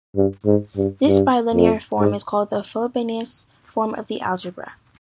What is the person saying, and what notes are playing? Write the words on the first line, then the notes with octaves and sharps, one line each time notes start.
This bilinear form is called the Frobenius form of the algebra.
G2
G#2
G2
G2
F2
G#2